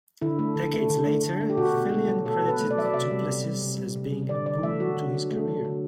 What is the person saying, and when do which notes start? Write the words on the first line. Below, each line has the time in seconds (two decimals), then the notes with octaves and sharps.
Decades later, Filion credited Duplessis as being a boon to his career.
0.21 D3 E4
0.39 A3
0.56 D3
0.73 A3
0.90 D3
1.07 A3
1.23 D3
1.41 A3
1.50 G4
1.57 B2 F#4
1.75 B2
1.92 A3
2.09 F#3
2.25 B2 A4
2.42 B2
2.48 B4
2.59 A3
2.70 D5
2.77 F#3 E5
2.85 D5
2.93 C3 E5
3.11 G3
3.27 C3
3.44 G3
3.61 C3
3.78 G3
3.96 C3
4.12 G3
4.29 D3 D5
4.46 D3 D5
4.63 A3 E5
4.80 F#3 F#4
4.97 D3
5.14 D3
5.31 A3
5.48 F#3
5.65 D3